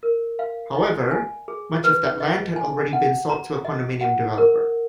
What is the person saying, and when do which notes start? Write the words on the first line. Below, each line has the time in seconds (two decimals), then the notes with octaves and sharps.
However, much of that land had already been sold to a condominium developer.
0.03 A#4
0.39 F5
0.75 D#5
1.11 G#5
1.48 G#4
1.84 B4
2.20 D#5
2.56 G#5
2.93 F#5
3.29 A#5
3.65 D#5
4.01 F#5
4.38 A#4